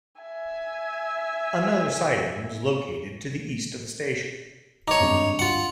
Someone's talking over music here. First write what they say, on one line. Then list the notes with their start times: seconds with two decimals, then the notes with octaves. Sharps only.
Another siding was located to the east of the station.
0.21 E5 G#5
4.88 D#4 C#5 A5 D6
5.00 G#1 G2
5.39 F4 F#5